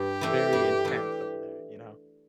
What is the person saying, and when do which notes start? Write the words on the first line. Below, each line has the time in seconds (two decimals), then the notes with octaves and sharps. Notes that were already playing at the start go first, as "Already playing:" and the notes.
very intense over there, you know?
Already playing: G2 G4
0.21 E3 A3 D4
0.53 G2
0.85 E3 A3 D4